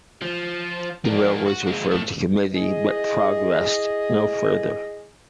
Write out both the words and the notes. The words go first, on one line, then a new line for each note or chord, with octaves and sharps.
The bill was referred to committee, but progressed no further.
F3
A#3 D4
F#4
G#3 A#3
A#2 A3
E4 G#4 D#5